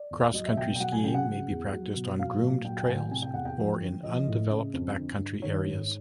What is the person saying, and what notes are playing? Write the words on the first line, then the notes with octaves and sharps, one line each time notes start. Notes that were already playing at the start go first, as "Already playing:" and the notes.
Cross-country skiing may be practiced on groomed trails or in undeveloped backcountry areas.
Already playing: D5
E2
F#3 D#5
E5
B2 G5
G5
F#3 F#5
G#5
C#3 G5
F#5
C#3
E2
F#3
B2
F#3 F5
A#2
F#3 G5
G5
G#5
A2 G5
G5
C3 G#5
G5
E2 F#5
G5
F3
D3
F3 D#5
A2
C#3
F2
D3
G2
D#3 C#5
G#2